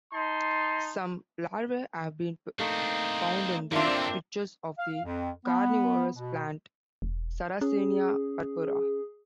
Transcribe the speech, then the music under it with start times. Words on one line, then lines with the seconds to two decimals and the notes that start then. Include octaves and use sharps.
Some larvae have been found in the pitchers of the carnivorous plant "Sarracenia purpurea".
0.13 D#4 A5 C6
2.60 A3 A#3 C4 D4 D#4
3.72 F#2 D3 A#3 C4 D4 F4 E5
4.78 F5
5.04 F2
5.46 B3
6.16 B2
7.02 E1
7.61 C#4 G#4